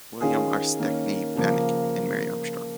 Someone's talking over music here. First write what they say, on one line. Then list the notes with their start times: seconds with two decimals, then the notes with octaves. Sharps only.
William Arcedeckne Vanneck and Mary Armstrong.
0.21 D#3 C#4 F4 G#4
0.79 D#3 A#3 C#4
1.35 C#3 F3 A#3